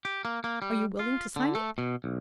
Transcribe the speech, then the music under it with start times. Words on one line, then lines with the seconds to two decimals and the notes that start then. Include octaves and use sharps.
Are you willing to sign it?
0.05 G4
0.25 A#3
0.44 A#3
0.62 G3
0.99 F4
1.36 D3
1.55 A3
1.78 B2
2.04 B1